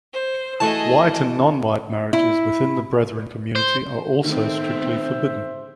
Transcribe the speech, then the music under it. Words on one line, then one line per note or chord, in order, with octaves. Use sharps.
White and non-white marriages within the brethren community are also strictly forbidden.
C5
E3 A3 F#4 G#4 D#5 A5
E4
C5
D#3 A3 B3 C4 C5 E5